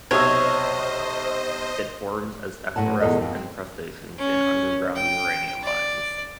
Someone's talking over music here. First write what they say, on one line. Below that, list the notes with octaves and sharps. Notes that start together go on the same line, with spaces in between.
It forms as efflorescent encrustations in underground uranium mines.
B1 C3 C5 C#5 D#5 E6
F#2 A2 F#3 F#5 A5
E2 A#2 A4 D#5
F2
C4
C#4
G5
D5